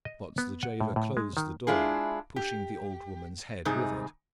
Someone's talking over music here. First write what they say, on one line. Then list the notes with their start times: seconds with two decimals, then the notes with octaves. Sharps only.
But the jailer closed the door, pushing the old woman's head with it.
0.05 D#5
0.38 B3
0.63 F#5
0.81 A2
0.96 A2
1.17 G#3
1.37 D#3
1.67 G#3 D4 E4 F4 G#4
2.36 G4
3.65 G#2 C3 G3 D#4 G#4